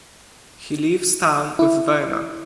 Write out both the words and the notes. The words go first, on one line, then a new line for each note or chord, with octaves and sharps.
He leaves town with Verna.
E4